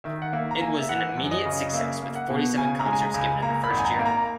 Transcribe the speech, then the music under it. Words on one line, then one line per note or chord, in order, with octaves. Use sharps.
It was an immediate success with forty seven concerts given in the first year.
D#3 E5
F#5
A#3 E5
A#5
A#3 G#5
E5
E3 F#5
F#2
D#5
C#3
D#5
A#3 E5
A#3
F#5
B2
C#3 G#5
A#5
G#3
G#5
A#5
C#2
G#5
A#3 A#5
B5
G#1
G#5
A#5
A#3
A#5